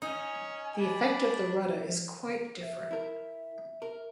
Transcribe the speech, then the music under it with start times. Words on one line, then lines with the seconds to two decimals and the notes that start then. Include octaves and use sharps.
The effect of the rudder is quite different.
0.02 C#4 D#4 G#5
0.77 D4 B5
2.62 E5
2.91 E4 A#4
3.82 A#4